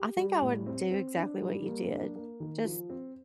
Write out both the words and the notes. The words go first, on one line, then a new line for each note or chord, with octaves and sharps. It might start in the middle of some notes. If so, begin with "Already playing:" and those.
I think I would do exactly what you did. Just
Already playing: G4
G3
A2
C4
C4
D4
G3
A#3
D4
A#3
D#3
F3
C4